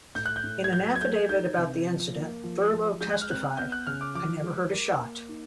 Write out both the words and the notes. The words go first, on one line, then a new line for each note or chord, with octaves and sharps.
In an affidavit about the incident, Thurlow testified, I never heard a shot.
A2 G6
F#6
G6
A2
G#6
F#3 G6
G#6
A3 G6
D#4 G6
C3
F3
A#3
F3
F3
G#3 G6
F#6
F6
C4 F#6
B3 G6
F#6
C#3 F6
D6
F3 D6
G#3
A#4
A#3
D#4